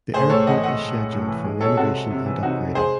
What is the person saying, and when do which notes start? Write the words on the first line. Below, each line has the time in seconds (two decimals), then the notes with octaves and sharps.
The airport is scheduled for renovation and upgrading.
0.14 A2 G#4 C5
0.30 A2 A4 C#5
0.47 E3 D#5 F#5
0.63 A3 D#5 F#5
0.79 A2
0.96 A2
1.13 A2
1.28 E3
1.44 G#3
1.61 G#3 A4 C#5
1.77 C3 F#4 A4
1.94 G#3
2.11 C3
2.26 E3
2.43 C3 D#4 F#4
2.59 C3
2.75 G#3 G#4 C5